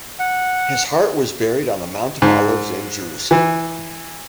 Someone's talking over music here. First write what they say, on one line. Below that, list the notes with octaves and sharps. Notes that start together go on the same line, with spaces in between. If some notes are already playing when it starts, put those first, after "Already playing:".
His heart was buried on the Mount of Olives in Jerusalem.
F#5
G#2
E3